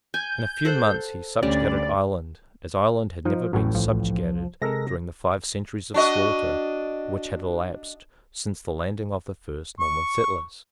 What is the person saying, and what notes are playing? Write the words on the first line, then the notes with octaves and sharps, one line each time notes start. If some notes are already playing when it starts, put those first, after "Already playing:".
In a few months he subjugated Ireland, as Ireland had never been subjugated during the five centuries of slaughter which had elapsed since the landing of the first Norman settlers.
G#5 G6
A4 C5 F#5
D2 G3 C#4 D5
F3 D#4
A1 A2 F#3 C#4
C2 F3
C3 G#3 A4 A#4 A#6
D4 F#4 D#5
C#6